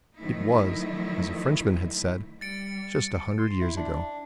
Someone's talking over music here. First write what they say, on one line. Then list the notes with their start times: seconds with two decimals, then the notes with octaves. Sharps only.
It was, as a Frenchman had said, just a hundred years ago.
0.16 D#3 F3 F#3 A3 D#4 E4
2.41 G3 A6 C#7 D7
3.39 C6
3.61 E4
3.77 D4